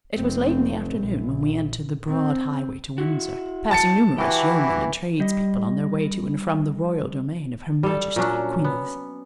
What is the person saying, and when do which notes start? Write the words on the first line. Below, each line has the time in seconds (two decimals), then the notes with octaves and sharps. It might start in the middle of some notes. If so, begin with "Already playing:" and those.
It was late in the afternoon when we entered the broad highway to Windsor, passing numerous yeomen and tradespeople on their way to and from the royal domain of Her Majesty Queen Elizabeth.
0.15 F1 C4
0.98 A#1
2.08 C4
2.98 E4 F#4
3.71 A5 A6 C#7
4.18 E3 E4 F#4 G4 B4 G5
5.20 G3 D#5
7.83 G3 A4
8.16 A#2 F#3 C#4 D4
8.64 B3